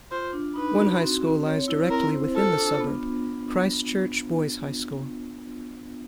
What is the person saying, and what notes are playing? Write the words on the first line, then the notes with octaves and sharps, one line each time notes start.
One high school lies directly within the suburb - Christchurch Boys' High School.
F4 C5
D4
D#4 B4
F#4
C4
C4
C#5
E4
C4 A#4
C5
F4 A4
D4
B3